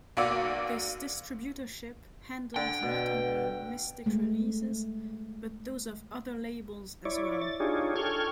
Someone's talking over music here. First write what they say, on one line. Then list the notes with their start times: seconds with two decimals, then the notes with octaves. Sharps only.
This distributorship handled not only Mystic releases but those of other labels as well.
0.17 B1 A#3 F#4 D5 E6
2.56 D3 G5
2.83 B2
4.06 G#3 A3
7.05 E4 C#5 D5
7.41 A6
7.60 D4 D#4 F4 G4 G#4 C#5
7.96 A4 G5 C#6 F6 G#6